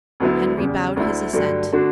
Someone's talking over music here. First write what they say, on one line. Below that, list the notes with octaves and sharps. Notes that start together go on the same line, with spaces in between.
Henry bowed his assent.
D2 D3 F#3 B3 E4
E2 C#3 G3
D2 D3 A3 E4
G2 D3 F#3 A3
D3 A3 D4 F#4